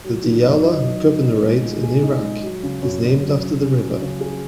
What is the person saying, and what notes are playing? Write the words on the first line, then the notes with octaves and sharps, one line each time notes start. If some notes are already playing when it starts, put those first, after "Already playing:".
The Diyala Governorate in Iraq is named after the river.
F#3
D#3
F#2
D#4
F#3
D#3
D#4
G#3
A#2
G#4
D#4
G#3
F#3
C#3
F#2
F#2
F#3
C#3
C#4
F#3
C#3
G#4